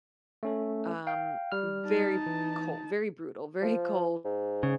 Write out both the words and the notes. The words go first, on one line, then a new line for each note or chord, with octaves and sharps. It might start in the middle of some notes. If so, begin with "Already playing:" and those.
um, very cold, very brutal, very cold
A3 C#4 A4
F5 G5
G3 F6
D#4 A5
E3
F3
G#2
C#3